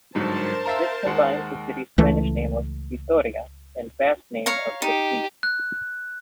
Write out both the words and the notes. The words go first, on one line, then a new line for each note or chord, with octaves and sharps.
This combines the city's Spanish name of Vitoria and Basque name of Gasteiz.
G1 G#2 F#3 A#4 C5 A5
E5 F5 A#5
D#2 G#3 F#5
C#2 E3 A3
C#5 F5 A#5
D#4 G4
F#6